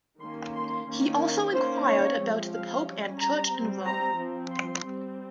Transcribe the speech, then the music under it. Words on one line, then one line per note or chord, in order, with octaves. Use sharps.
He also inquired about the Pope and Church in Rome.
D#3 A#3 C#4 C6
C6
D#3 A#3 C#4
D#3 A#3 C#4 C5
C#5
F3 G#3 C4
F5
G3 C#4
A#5
C4
G3
A#5
F3 C4
C6
G3 C4